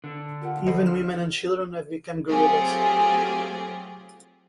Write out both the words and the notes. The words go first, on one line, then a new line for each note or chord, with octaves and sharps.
Even women and children have become guerrillas.
D3
F4 G4 A#4 F#5
A4 C5 D#5 F#5 B5
F6 E7
F#3 A3 C4 F4 G4 G#4